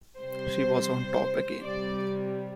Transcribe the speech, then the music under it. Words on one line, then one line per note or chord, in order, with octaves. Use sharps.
She was on top again.
C3 G3 C5
C3 G3 D5